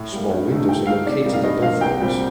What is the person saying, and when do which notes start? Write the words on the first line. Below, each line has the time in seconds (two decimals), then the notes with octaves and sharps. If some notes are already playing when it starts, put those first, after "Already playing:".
Small windows are located above those.
Already playing: A2
0.12 G3 A#3
0.31 G2
0.50 D3 A3 D#4
0.69 A#2 G5
0.87 A3 D#4 F5
1.06 C3 D5
1.25 G3 A#3 D#4
1.33 F5
1.44 G2 D#5
1.62 F3 A#3 F5
1.81 C2 G5
2.00 A#2 G3 C4